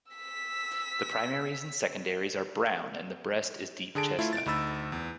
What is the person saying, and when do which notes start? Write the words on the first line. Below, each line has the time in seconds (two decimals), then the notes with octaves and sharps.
The primaries and secondaries are brown and the breast is deep chestnut.
0.12 E6 B6
3.95 D3 G#4 A5 D7
4.19 A3 E4 F4
4.33 A6 D7
4.46 D2 D#4 B5 E6 A6
4.92 E2